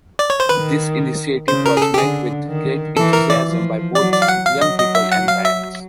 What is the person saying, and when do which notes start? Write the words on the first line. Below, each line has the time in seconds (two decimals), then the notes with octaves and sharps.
This initiative was met with great enthusiasm by both young people and parents.
0.19 D5
0.30 C#5
0.40 C5
0.49 D#3 B4
1.48 C#3 C5
1.66 A#4
1.77 G#4
1.82 A4
1.94 G4
1.98 D3 G#4
2.47 D#3
2.97 E3 A4
3.13 A#4
3.30 D5
3.46 F3
3.96 F#3 D5
4.12 D5
4.22 F5
4.28 F#5
4.45 F#3 F5
4.61 D#5
4.79 D#5
4.95 E5
5.12 F#5
5.28 F5
5.45 E5